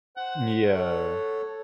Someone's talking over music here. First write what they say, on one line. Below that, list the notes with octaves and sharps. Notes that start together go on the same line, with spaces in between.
M yeah.
C5 F#5
A4 C#5